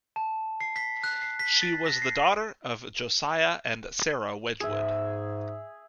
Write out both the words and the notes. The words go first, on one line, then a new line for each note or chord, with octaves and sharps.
She was the daughter of Josiah and Sarah Wedgewood.
A5
C7
B6
F#6
C7
B6
A6
A#6
C7
G#2 G#4 E5